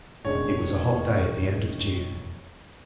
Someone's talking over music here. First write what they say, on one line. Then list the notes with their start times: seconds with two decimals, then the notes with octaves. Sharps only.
It was a hot day at the end of June.
0.25 E1 F2 A2 D#3 G#3 C#4 D4 C#5